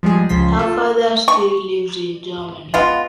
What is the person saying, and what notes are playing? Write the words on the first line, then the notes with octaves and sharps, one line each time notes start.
Her father still lives in Germany.
F3 G3 G#3 G#4
C#2 C#3 F3 C6 B6
F4 A4
C#6
G#3 B3 F4